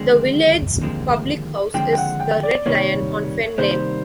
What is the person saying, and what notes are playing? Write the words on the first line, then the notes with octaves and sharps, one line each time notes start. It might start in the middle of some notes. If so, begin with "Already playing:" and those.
The village's public house is the Red Lion on Fen Lane.
Already playing: D#2 D3 F3 G#3 C4
D#2 D3 F3 G#3 C4
D#2 D3 F3 G#3 C4 G5
G5
F#5
G5
D5
C3 D#3 G3 A#3 C#5
C3 D#3 G3 A#3 C5